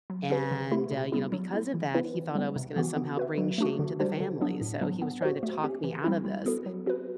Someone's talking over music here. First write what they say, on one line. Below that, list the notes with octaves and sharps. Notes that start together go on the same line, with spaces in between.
and, uh, you know, because of that, he thought I was gonna somehow bring shame to the family, so he was trying to talk me out of this,
F#3
C4 G4 B4
D3
A3 E4 G4
B2
G3 B3 E4
F#3
B3 E4
E3
B3 E4 B4
E3
G3 B3
C3
E3 B3 F#4
B3
F#4 B4 E5
F#3
A3 D4 F#4
D3
G3 D4 F#4 C5
D3
F#3 B3 D4
A2
F#3 B3 D4
B3
F#4 C5
A3
C4 G4
E3
G3 C4 E4
G3
B3 F#4 A4
F#3
C4 F#4 B4